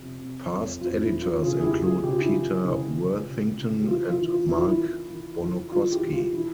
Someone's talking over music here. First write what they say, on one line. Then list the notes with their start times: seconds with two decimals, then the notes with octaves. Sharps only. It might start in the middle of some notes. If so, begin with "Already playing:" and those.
Past editors include Peter Worthington and Mark Bonokoski.
Already playing: F2 C3
0.19 C3
0.50 F2
0.81 F2 F4
1.01 E4
1.11 E3
1.22 F4
1.42 C#3 F4 G#4
1.57 G#4
1.62 E4 G4
1.73 C#2
1.83 F4 G#4
2.03 C#3 G4
2.13 F4
2.21 E4
2.29 E3 F4
2.65 C#3 E4
2.95 E3
3.26 C#3
3.57 C#3
3.81 G4
3.88 E3 F4
4.08 F4
4.18 E3
4.29 F4
4.49 E3 E4
4.58 F4
4.67 E4
4.80 E3
5.10 E3
5.41 E3
5.71 E3 F4
5.88 G#4
5.92 E4 G4
6.02 E3
6.13 F4
6.33 E3 E4